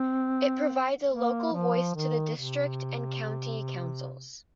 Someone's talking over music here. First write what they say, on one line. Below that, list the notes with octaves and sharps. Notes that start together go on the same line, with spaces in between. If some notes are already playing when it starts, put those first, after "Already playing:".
It provides a local voice to the district and county councils.
Already playing: C4
A#3
F3
D#3
C3